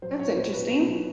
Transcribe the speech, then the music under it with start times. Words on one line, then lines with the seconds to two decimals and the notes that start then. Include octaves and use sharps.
That's interesting.
0.02 F#3 C5
0.19 F#3 C#5
0.36 F#3 C5
0.53 B2 B4
0.71 B2
0.87 F#3